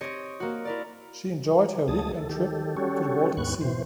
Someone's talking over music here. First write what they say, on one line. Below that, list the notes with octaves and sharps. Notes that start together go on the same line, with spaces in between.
She enjoyed her weekend trip to the baltic sea.
C4 G4 C#5 D#5
A#3 F#4
E4 A#4 D5
D2 F#3 A3 G#4 A5 D#6
A4
D#3 G4 A4
G3 C#4 F#4 G4 A4 C#5
D#2 G#2 B3 C#6 F#6
B2 E3 C5